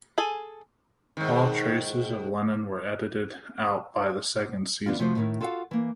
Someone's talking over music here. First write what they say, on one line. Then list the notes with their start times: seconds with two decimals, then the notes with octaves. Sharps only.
All traces of Lennon were edited out by the second season.
0.18 G#4 A4 G#5
1.17 G#2 D#3
4.86 E3 B3 D4 F4
4.99 C3 F3 A3 F4 F#4 C5
5.16 A2 D#3 E4
5.41 F4 F#4 A4 C#5 F5 F#5
5.71 E3 A#3